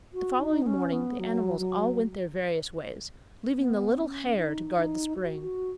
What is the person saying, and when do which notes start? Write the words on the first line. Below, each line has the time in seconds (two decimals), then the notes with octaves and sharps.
The following morning the animals all went their various ways, leaving the little hare to guard the spring.
0.14 F#4
0.40 D#4
0.62 B3
0.66 C#4
0.92 B3
1.19 F#3
1.59 F#3
3.58 B3
3.97 C#4
4.37 D#4
4.76 D#4
5.17 F#4
5.42 F#4